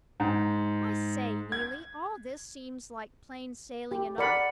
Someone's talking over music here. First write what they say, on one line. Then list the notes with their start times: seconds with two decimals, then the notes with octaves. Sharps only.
I say, Neelie, all this seems like plain sailing enough.
0.20 G#2
1.52 G#6
3.91 G4
4.18 A#4 D5 F#5 B5 C#7